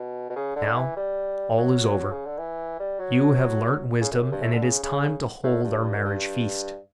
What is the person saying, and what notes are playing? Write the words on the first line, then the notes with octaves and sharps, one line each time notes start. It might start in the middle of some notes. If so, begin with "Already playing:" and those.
Now all is over: you have learnt wisdom, and it is time to hold our marriage feast.'
Already playing: B2
B2
C#3
D3
E3
G3
F#3
C#3
D3
E3
G3
F#3
C#3
F#2
F#2
G2
A2
D3
C#3
C#3
A2
G2
F#2
G2